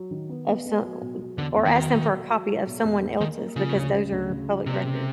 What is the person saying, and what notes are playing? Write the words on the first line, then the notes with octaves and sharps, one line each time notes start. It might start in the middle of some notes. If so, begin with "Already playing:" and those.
of som eh, or ask them for a copy of someone else's because those are public record
Already playing: F#3
D#3
B3
B3
B3
F#3
B2
F#3
E2 D3
E2
D#3
F#3
B2
F#3
F#3
F#3
B2
E2
A#3
D#3 A#3
A#3
C#3 F3
D2
C#3
D2
C#3
F3
C3 A#3
C#3